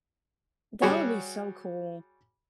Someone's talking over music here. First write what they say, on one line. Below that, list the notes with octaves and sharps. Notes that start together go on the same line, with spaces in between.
That would be so cool.
G3 F#4 G#4 C#5